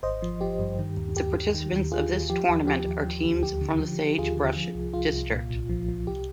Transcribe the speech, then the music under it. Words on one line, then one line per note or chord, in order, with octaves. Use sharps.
The participants of this tournament are teams from the Sagebrush District.
G#1 C5 D#5
F3
F3 G4
G2
D#3
D#2
D#2 G4
D#2
D#3
D#2
D#2 F4 G#4
D#2
F3 G4
D#2
F3 G4
D#2
F3
D2
D2 G4
D3
F3
F3
D#2 F4 G#4
D3
F3
C2
C2 F4
C2
A#2
A#1
F3
F3
C2 G4